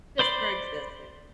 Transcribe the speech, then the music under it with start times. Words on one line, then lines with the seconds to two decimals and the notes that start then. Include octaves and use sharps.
Just for existing.
0.19 C5 D5 B5 C6